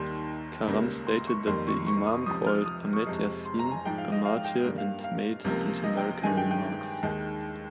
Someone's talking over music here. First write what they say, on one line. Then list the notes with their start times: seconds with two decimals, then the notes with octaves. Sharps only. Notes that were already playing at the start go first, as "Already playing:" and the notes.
Karam stated that the Imam called Ahmed Yassin a martyr and made anti-American remarks.
Already playing: D#2 D#3 G3 A#3 C6
0.67 C#2 C#3 G3 A#3
1.07 C6
1.27 C#6
1.47 F2 D#3 G3 A#3 C6
1.67 C#6
1.87 C#6
2.06 D#6
2.26 C#2 C3 F3 D#6
2.47 F6
2.66 D#6
2.93 C#6
3.06 F2 C3 F3 G#3
3.45 C6
3.59 A#5
3.72 G#5
3.85 G#2 F3 G#3 G5
3.98 F5
4.12 D#5
4.25 F5
4.44 G5
4.65 G2 G3 A#3
4.78 F5
5.04 F5
5.44 C#2 C3 F3 A#3
5.84 D#5
5.97 G5
6.23 G2 D#3 G#3 G#5
6.37 G5
6.51 G5
7.03 D#2 D#3 G#3